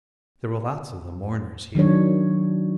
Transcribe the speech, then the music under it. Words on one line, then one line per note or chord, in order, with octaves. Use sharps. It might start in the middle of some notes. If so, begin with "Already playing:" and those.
There were lots of the mourners here.
D#3 F#3 D4 C#5